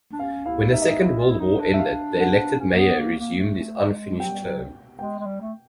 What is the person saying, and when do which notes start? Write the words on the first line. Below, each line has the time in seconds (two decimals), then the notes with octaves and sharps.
When the Second World War ended the elected mayor resumed his unfinished term.
0.13 D4
0.19 C#4 F5
0.46 E4 F5
0.72 D#4 E5
0.82 D#5
0.91 E5
0.99 E4
1.19 F4
1.30 E4
1.39 D#4
1.59 D4
1.74 E5
1.79 F5
2.20 F#5
2.59 C#4
2.74 A#3
2.79 B3
2.99 A#3
3.19 A#3
3.39 A3
3.79 G#3
4.19 F#3 G5
4.31 G3
4.43 F#3
4.99 G#3 G5
5.19 G#3
5.26 G3
5.41 A3